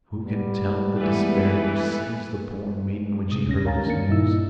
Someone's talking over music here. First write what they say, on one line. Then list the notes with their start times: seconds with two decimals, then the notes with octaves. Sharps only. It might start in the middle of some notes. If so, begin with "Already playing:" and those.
Who can tell the despair which seized the poor maiden when she heard this news!
0.24 G3 B3
0.99 E3 G#3 A3 B4
3.30 A2 C3 G#3 D#6
3.47 D2 C#4 A#6
3.65 A#4 C#5 F5 G#5 A#5 A6
3.86 D#3 A#3 D4 A#4 A6 C#7
4.09 G2 A#2 D#4 E4 E6